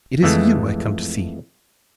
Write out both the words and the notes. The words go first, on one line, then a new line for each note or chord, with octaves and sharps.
It is you I come to see.'
F2 E3 G#3 A3